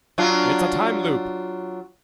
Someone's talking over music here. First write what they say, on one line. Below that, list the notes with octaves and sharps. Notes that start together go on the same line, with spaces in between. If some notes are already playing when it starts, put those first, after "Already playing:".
It's a time loop!
F#3 D4 F4